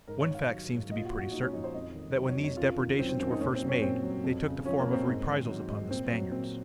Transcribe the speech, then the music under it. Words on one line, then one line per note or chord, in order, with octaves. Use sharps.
One fact seems to be pretty certain, that when these depredations were first made, they took the form of reprisals upon the Spaniards.
G#2 A#4
C#5
D#3
F5
F#3
G#2
A#2 D#5
F4
F#4
F3
F#4
A#2 D#4
C#4
F3 D#4
C5
F2 D#5
D#3
F#3
C#5
F2
C#5
F#2 F4
D#3
F#3 C4
C4
F#2 C4
D#4
A#2 C#4
C4
F#3
C#4
A#2 C4
F#3
F2
C#3
F3 C#4
A#3
F2
C4
G#2
D#3
F#3
G#2
A#2 C4
F#3
A#2 C4